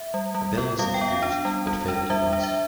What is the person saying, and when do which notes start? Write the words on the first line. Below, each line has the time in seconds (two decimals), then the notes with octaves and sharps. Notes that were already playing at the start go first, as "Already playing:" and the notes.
A bill was introduced, but failed to pass.
Already playing: E5
0.14 G3
0.35 G3
0.58 B3
0.79 G3 F5
0.94 G5
1.01 B3
1.08 F5
1.22 D4
1.45 G3
1.67 G3
1.88 D4
2.10 G3 E5
2.33 D4
2.43 E5